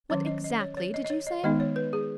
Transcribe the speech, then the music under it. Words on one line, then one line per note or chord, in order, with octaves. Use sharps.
What exactly did you say?'
D#3 F#3 C#4 C#5
D#5
D#5
C#5
C#5
D#5
D#5
C#5
D#5
D#3 G#3 B3 D#4 D#5
C#5
B4
G#4